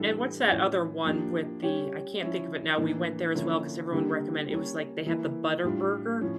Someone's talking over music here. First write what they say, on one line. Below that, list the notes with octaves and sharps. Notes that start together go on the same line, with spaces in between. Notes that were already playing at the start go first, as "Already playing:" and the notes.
And what's that other one with the I can't think of it now, we went there as well ‘cause everyone recommend it was like they have the Butter Burger.
Already playing: A2 E3 G3 D4 A4
A2 F3 C#4
F3 A#3 D4 G4
G3 C#4 G4 C#5
F3 C#4 E4
A2 E3 A#3 D4
D3 F3 A#3 C#4 E4
D3 G3 A#3 D4 G4
G3 A#3 C#4
E3 A#3 E4
A2 G3 D4 F4
A2 F3 C#4